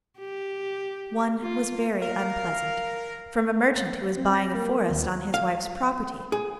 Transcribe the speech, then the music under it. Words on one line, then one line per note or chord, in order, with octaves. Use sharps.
One was very unpleasant, from a merchant who was buying a forest on his wife's property.
G4
F4
A#4 F5
A6
C4
A#6
A#3
D#2
F5
G#4